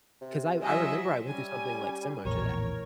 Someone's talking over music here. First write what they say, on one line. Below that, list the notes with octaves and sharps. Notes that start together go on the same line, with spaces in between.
'cause I I remember I went through something, like, similar to that.
C3
F#3 F4 D#5 E5 G#5
G3 C#4 G#5
A#1 E2 A2 A#4 C#5